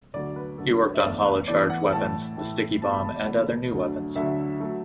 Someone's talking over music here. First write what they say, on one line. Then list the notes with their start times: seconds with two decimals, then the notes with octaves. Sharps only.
He worked on hollow charge weapons, the sticky bomb and other new weapons.
0.14 D2 D3 F#3 A3 D5
0.36 B4
0.58 D2 D3 F#3 A3 A4
0.80 B4
0.94 E5
1.03 E2 E3 A3 D5
1.26 B4
1.48 E2 E3 A3 D5
1.70 F#5
1.92 A2 E3 A3 A5
2.37 A2 E3 A3
2.81 E2 B2 A3 A5
2.93 B5
3.04 A5
3.16 D5
3.26 E2 B2 A3
3.71 D2 D3 F#3 A3
4.15 D2 D3 F#3 A3 E5
4.60 F#3 A3